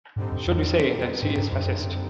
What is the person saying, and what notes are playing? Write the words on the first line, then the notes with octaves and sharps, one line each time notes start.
Should we say that she is Fascist?
G#2 D3 G3 C4 D#4
F#2
F2
G#2
G2
F#2